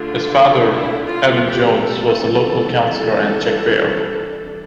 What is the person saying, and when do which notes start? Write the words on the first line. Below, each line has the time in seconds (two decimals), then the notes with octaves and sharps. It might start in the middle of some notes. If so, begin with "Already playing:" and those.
His father, Evan Jones, was a local councillor and checkweigher.
Already playing: D3 A3 D4 F4
0.68 E4
1.06 F4
1.44 G4
1.83 A4
2.21 E3 G3 D4 A4